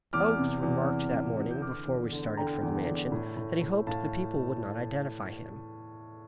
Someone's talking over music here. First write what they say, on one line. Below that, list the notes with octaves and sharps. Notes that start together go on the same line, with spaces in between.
Oakes remarked that morning, before we started for the Mansion, that he hoped the people would not identify him.
E2 D6 F6
C3
E2
C3
C3
C3
G6
D3 D6 F6
E2
D3
D3 G5 A#5
E2
E2
A2
A2
A2
A2 F5 A5